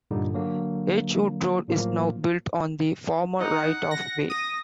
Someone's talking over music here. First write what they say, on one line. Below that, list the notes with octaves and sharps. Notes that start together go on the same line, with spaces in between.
Edgewood Road is now built on the former right of way.
G2 A#2 D3 G3 D#4
D3 F#3 A#3
A2 F3 F#3 A#3
D#4 F#5
A#6
D#6 A#6